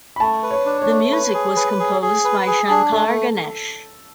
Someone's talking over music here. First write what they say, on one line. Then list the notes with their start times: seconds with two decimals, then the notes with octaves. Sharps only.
The music was composed by Shankar–Ganesh.
0.16 B5
0.20 A3 A5
0.43 B4
0.51 C#5
0.66 D4
0.82 C#5
0.88 A3
1.12 B4
1.34 G#4
1.56 B4
1.80 G#4
2.02 G#4
2.24 B4
2.47 G#4
2.70 D4
2.92 A3 A4